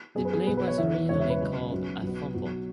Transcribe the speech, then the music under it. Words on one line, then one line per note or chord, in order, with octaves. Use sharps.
The play was originally called a fumble.
F#2 F#3 B3 G#4
B4
G#4
B1 B2 B3 B4
B4
C#5
E2 E3 B3 E5
B4
E1 E2 C#3 C#5
E5
B4
F#2 C#3 G#3
B1 B2 F#3 C#4
B1 B2 B3
B1 B2 F#3